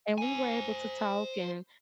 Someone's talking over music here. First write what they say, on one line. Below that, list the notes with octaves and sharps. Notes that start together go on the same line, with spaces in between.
and we were able to talk, and
C5 G#5